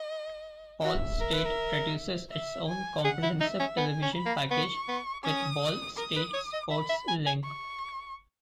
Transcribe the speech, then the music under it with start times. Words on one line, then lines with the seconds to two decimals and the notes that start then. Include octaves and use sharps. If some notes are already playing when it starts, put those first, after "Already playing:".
Ball State produces its own comprehensive television package with Ball State Sports Link.
Already playing: D#5
0.84 F#4 E5
1.21 A#4
1.33 B4
1.45 A#4
2.30 E5
2.68 G#5
3.04 G#4 F#5
3.23 E4
3.40 D#4 E5
3.59 C#4
3.77 B3 G#5
4.02 C#4
4.15 B5
4.26 A#3
4.51 B3 C#6
4.88 B3
5.24 C#4 D#6
5.98 A#4 D#6
6.16 B4
6.34 C#5
6.53 D#5
6.71 E5 B5
6.89 E5
7.08 G#5
7.26 G#5
7.44 C#6